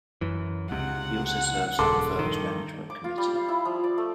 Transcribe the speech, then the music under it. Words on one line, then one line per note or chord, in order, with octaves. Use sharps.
He also serves on the firm's Management Committee.
F#2 E3
C#2 C3 F#5
D#1 C#3 A4 C6 D6
G2 D#3
D6
F4
G3
F5
E4
F3
D5
A3